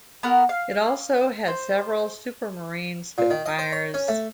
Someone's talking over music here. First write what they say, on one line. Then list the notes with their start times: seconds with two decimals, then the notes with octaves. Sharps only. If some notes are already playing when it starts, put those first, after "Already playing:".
It also had several Supermarine Spitfires.
0.23 B3 F#4 A#4
0.49 F5
1.48 C5
3.18 A#2
3.30 D#3
3.46 D#5
3.59 C5
3.72 C#5
3.94 C#4
4.08 A3